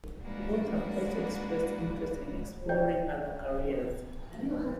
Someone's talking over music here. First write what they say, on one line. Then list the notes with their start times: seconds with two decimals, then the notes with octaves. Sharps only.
Both have also expressed interest in exploring other careers.
0.21 G3 G#3 A#3 D4 F#4 B4
2.69 C#5 D5 E5 G5 G6